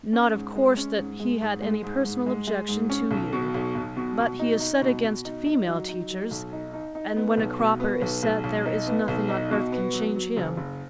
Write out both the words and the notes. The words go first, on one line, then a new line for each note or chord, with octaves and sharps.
Not, of course, that he had any personal objection to you, but he is set against female teachers, and when a Cropper is set there is nothing on earth can change him.
C#4
G#2
G#3
C#4
G#2
G#3
G#2
G#3
G#2
G#2
G#3
G#3
G#2
C#4
B1
B2
B1
B1
B2
B2
D#4
D#4
B2
B2
D#4
D#4
F#3
D#4
F#3
B1
D#4
D#4
D#4
B3
B1
B2
B3
B1
B1
B1
D#4
B3
B1
D#4
B2
B3
F#3
F#3
F#1
F#1